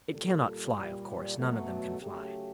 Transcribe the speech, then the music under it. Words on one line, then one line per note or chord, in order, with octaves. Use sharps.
It cannot fly, of course: none of them can fly....
A#2 G3 A4
A#2 G3
B2 F#3 A3
C#3 F#3 A3 G4